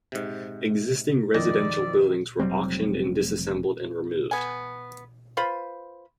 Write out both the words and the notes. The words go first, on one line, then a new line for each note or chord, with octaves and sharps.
Existing residential buildings were auctioned and disassembled and removed.
G#2 C3
F2 D#3 D5 D#5 A#6
F1 F#3 G3 C4
B3 G#5
F4 B4 C5 B5